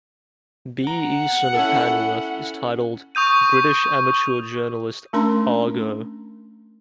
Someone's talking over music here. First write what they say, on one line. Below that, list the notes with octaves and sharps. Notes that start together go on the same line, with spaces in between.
B. Easson of Hanworth is titled "British amateur journalist: Argo".
F#5 A#5
C#4 E4 A4
C#6 D#6 G6 D#7
A3 C#4 D4 A#4 A#5 C6